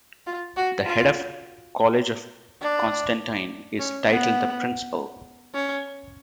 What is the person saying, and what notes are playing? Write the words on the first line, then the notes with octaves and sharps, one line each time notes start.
The head of college of Constantine is titled the Principal.
F4
F#4
F4
D4
C#4
B3
C#4